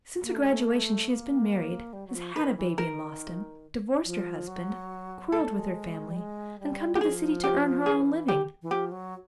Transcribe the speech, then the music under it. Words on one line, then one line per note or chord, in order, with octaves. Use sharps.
Since her graduation she has been married, has had a baby and lost him, divorced her husband, quarreled with her family, and come to the city to earn her own living.
A#3
A3
G#3
A3
A#3
G3
F#3
F3
D#3 B4
E3
D#3 A#4
F3
F#3
G#3 A4
A3
G#3
G3
G#3
G3
E3 G4
F3 G#4
G4
E3 G#4
G4
E3
F3 G4
F#3